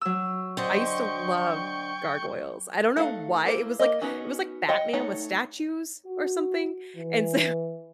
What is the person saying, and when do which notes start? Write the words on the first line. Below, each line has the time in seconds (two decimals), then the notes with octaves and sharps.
I used to love Gargoyles. I don't know why it was like it was like Batman with statues or something, and so
0.01 F#3 E6
0.57 D3 C5 D#5 G5 C#6
2.97 A3 D#4 F5 F#5
3.46 A#3 E4 C5
3.79 A#3 D#5
4.02 B3 C#4 D#4 F#4
4.68 D#5 F#5 G5
4.93 A3 D#4 C#5 F#5
6.05 F#4
6.96 E3